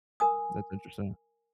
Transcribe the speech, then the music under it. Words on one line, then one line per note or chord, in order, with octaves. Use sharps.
That's interesting.
A#4 G#5 D#6